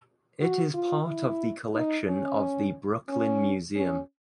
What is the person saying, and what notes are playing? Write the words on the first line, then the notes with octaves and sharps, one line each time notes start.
It is part of the collection of the Brooklyn Museum.
F#4
F4
E4
D#4
C#4
C#4
C#4